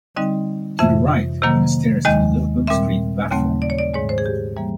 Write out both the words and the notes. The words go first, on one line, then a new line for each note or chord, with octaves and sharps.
To the right were the stairs to the Liverpool Street platform.
D3 G3 C4 D#4 D#5
F2 C3 E3 E5
C3 D#3 F#3 A#3
D#2 D#3 G#3 D#5
A#2 G3 C4 E5
D#2 C#3 F#3 A3 C4
D5
C#5
D5
G#2 D#3 G#3 C#5
C5
G#4
G4
E3 G3 A#3